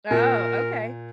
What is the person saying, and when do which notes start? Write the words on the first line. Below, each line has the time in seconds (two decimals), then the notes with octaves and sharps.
Oh, okay.
0.11 A#2 A#4